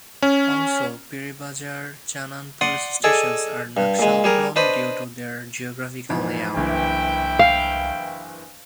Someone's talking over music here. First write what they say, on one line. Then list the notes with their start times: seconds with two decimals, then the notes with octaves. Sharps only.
Also, Piribazar, Chanan police stations are naxal-prone due to their geographical layout.
0.22 C#4
2.61 D5 F#5 C6 D#6
3.04 G#4 A4 D5 D#5 G#5
3.77 G2
3.99 A#2 G#3
4.24 G3 G#4 A#4
4.56 D4 B4 C5 D#5 B5
6.09 F2 G#2 E3
6.56 F#1 C2 G2 E3 E4 G5
7.39 F5